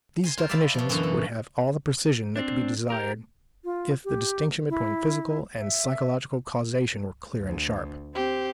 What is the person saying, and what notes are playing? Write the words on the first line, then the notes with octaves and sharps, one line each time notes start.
These definitions would have all the precision that could be desired if the distinction between physical and psychological causation were clear and sharp.
G#5 C6
F4 A#4 C5
D5 E5 F5 A5 B5
B2 F3
F#2 B2 D3 E3
A4
C4 D4
G4 A#4
F4
G4
E4
E5
D2
C4 G4